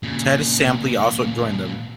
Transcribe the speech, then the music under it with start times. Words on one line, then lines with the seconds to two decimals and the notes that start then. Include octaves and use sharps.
Ted Sampley also joined them.
0.03 A#2 C#3